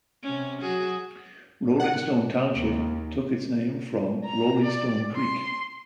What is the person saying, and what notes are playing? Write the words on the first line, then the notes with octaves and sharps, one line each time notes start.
Rollingstone Township took its name from Rollingstone Creek.
C3 C#4
F#3 F#4 G#4
F#5
D#2 A#3
A#5
D5
C6